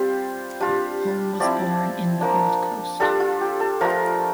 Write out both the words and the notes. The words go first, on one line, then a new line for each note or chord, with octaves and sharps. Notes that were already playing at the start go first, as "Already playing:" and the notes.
Holm was born in the Gold Coast.
Already playing: G3 C4 F4 C5
G3 D4 F4
F3 C4 E4 D5
F3 A#3 D4
G3 D4 F4 A4
F4
G4
A4
F3 A3 D4 F4 A#4